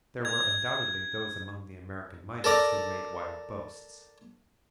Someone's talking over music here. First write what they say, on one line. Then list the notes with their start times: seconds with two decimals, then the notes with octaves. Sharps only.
There were undoubtedly those among the American miners who made wild boasts.
0.25 G#6
2.44 A4 A#4 D5 A#5